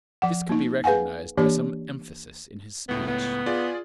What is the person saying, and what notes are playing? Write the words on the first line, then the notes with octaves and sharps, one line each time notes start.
This could be recognized by some emphasis in his speech.
F3 F#5
A#3 D#4
G#4 B4 F5 F#5 G#5
E3 A#3 D4 G4 C#5 D5
C#2 A2 B3
B3
F4 G#4 D5